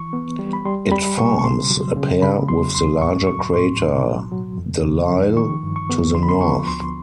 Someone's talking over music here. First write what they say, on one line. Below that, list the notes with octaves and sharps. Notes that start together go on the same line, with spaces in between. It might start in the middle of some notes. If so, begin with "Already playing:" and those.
It forms a pair with the larger crater Delisle to the north.
Already playing: E3 C#6
B3
G3
B5
G3 C6
G3 B5
B2 C#6
C#6
C#3 C6
F#3
C#3
C#3 B5
F#3 C6
D2 C6
A2 C#6
F#3 C#6
A2 C6
B2
F#3
F#3
F2
C#3
F3
D#3 C#6
G2
C#6
B3
D3 C6
B5
C6
F3 C#6
D2 C6